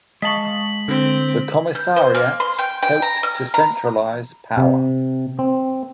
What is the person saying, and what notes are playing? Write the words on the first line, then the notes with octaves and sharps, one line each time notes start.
The commissariats helped to centralize power.
G#3 D#5 F5 A5 C#6 B6 F#7
D3 C4
G6
C5
A#3
C6
G5
G5
A#5
F6
A#5
C3
C4